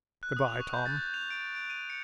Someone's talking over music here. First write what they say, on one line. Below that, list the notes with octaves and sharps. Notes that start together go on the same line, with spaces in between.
Good-by, Tom.
F#6
D#6
F7
C#6
G6
A6
G6
F7
D7
D7
D#7
C#7